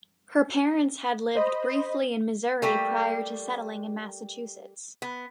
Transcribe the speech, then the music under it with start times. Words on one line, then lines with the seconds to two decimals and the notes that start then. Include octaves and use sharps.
Her parents had lived briefly in Missouri prior to settling in Massachusetts.
1.35 C5 D#5 B5
2.62 G3 A3 A#3 G4
5.02 B3